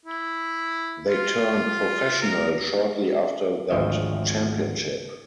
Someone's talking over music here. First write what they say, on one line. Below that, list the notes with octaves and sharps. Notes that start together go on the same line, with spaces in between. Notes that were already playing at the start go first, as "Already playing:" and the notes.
They turned professional shortly after that championship.
E4
F4
A#4
G#1 D2 F3 C#5 D#5 E5